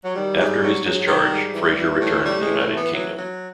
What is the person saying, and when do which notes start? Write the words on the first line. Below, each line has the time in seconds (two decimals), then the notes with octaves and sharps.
After his discharge, Fraser returned to the United Kingdom.
0.04 F#3
0.15 D#3 G3
0.38 G#2
0.62 F#3
0.84 G#2 F#3
1.07 D#3
1.19 G3
1.30 G#2
1.54 E3
1.77 E3
2.00 A2
2.24 A2 G3
2.41 G#3
2.47 E3
2.58 A3
2.70 E3
2.76 B3
2.92 F#3
3.16 F#3